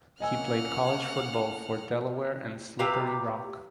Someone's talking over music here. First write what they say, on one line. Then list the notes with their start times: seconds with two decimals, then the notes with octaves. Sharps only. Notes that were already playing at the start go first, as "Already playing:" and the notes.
He played college football for Delaware and Slippery Rock.
0.20 A#3 C#4 D#5 F#5 G#5 E6 F6
2.79 C3 G4 B4 F5 A#5